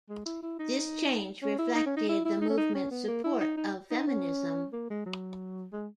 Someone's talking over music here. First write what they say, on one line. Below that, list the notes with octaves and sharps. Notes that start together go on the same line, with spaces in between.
This change reflected the movement's support of feminism.
G#3
E4
E4
D#4
C#4
E4
D#4
C#4
D#4
E4
E4
D#4
C#4
D#4
C#4
B3
A#3
E4
D#4
D#4
D#4
C#4
A#3
G#3
F#3
G#3